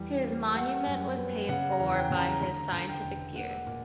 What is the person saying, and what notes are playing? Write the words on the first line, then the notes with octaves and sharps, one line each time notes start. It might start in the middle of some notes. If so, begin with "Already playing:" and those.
His monument was paid for by his scientific peers.
Already playing: E2 G3
A#3
G3 F#5
F#2
B3
C#3 F#5
A#5
E2
G5
C#3
A#5
D3 A#5
D3
G5
E1
A#3 F#5
A#2